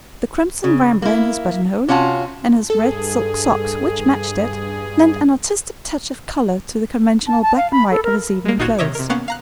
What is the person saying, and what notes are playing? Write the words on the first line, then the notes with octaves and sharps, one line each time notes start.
The crimson rambler in his button-hole, and his red silk socks, which matched it, lent an artistic touch of colour to the conventional black and white of his evening clothes.
C#3
A#3 E4
C3 C#4 F4 F#4 A5
G2 G#4 A4
A5
A5
F5
B5
A4
A#4
G#3 A#3
G#1 A#2 D#4 F4 F#4 G#6
C3 D#3 C#5 D#5 E5 D6
C3 A#4
A#3 B3 C#4 F5 F#5
F5 A#5 F#6